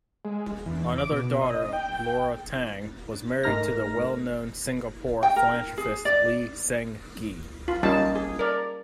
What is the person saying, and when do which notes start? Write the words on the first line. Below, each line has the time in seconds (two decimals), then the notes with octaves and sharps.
Another daughter Lora Tang was married to the well-known Singapore philanthropist Lee Seng Gee.
0.25 G#3
0.66 E2
0.98 D6
1.11 B2
1.41 D#5
1.73 G5
3.44 G#2 A3 D#4 A#4 F6 A#6
5.23 G5
5.36 A#4
5.78 G#4
6.05 D5
7.68 F4
7.83 G3 A#3 C#4 D#4 F4 A5
8.15 G#4
8.39 A#4 D5